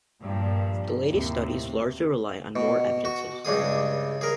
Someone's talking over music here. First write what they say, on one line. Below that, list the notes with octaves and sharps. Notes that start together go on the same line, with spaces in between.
The latest studies largely rely on more evidences.
G2 A#2 F3
D#2 A2 C3
B2
F#4
C#2 G2 G#4 D#6
G#4 A#4